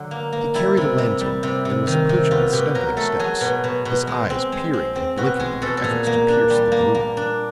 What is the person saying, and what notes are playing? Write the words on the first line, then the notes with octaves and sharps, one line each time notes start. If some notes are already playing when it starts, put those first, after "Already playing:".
He carried a lantern and was approaching with stumbling steps, his eyes peering and blinking in their efforts to pierce the gloom.
Already playing: D3 F#3
A#3
A#3
G3 E4
C3
C3
G3
C3
C3
D#3
C3
B2 F4
B2 G4
F#3 A#4
A3 A4
F#3 G#4
B2
B2
B2
G#3
C4
G#3
C4
C4
B2 F#4
G#3 G#4
B2 A4
A4
A#2 G#4
A#3
D4
G3
A#3
A#3
D4